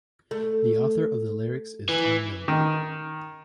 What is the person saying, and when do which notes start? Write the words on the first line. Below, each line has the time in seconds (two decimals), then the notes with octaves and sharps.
The author of the lyrics is unknown.
0.31 A3
1.89 E3
2.48 D#3